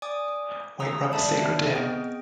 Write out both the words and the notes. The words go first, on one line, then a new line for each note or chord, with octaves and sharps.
White rum is sacred to him.
D5 G#5 D6 D#6
A#5 D#6 E6
D5 E5 F5 A5 B5
B3 C4 G#4 D#5 G5